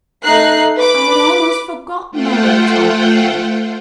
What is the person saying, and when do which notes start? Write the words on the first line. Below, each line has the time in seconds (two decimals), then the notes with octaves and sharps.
I had almost forgotten my little talk with him.
0.23 A3 D#4 F#6 C7
0.78 B4 D6
2.11 A3 F4 C5 F#5 G5